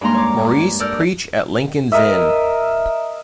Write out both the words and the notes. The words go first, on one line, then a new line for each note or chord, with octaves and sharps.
Maurice preach at Lincoln's Inn.
G2 G#3 A#3 D#4 A#5 C6
C#5 D6
A4 A#4 D5 E6 F6 G6
A#4 D#5 E5